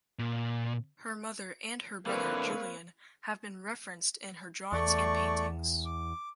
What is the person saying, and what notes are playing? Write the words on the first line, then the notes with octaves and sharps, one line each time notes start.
Her mother and her brother Julian have been referenced in her drawings and paintings.
A#2
D3 E3 A#3 C4 B4 C#5
E2 A3 D5 C#6
D6